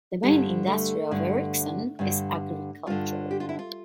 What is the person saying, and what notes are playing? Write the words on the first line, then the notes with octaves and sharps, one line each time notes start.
The main industry of Erickson is agriculture.
G2 D3 G3
A3
G2 D3
G2 D3
G2 D3 F4
G4
F4
E4
F4